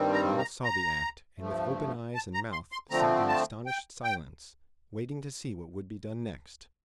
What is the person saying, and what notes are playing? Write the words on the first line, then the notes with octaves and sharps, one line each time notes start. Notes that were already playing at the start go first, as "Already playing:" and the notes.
All saw the act, and with open eyes and mouth sat in astonished silence, waiting to see what would be done next.
Already playing: G2 D#3 G3 C4
A#5
A#5
A#5
G2 F3 A3
A5
A#5
C6
C6
D3 F3 A3 C4 A#5
A5
G5
G5